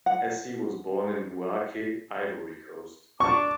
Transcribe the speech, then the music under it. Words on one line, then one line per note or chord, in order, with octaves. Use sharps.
Essy was born in Bouake, Ivory Coast.
F#5
D4 A5 C#6 D6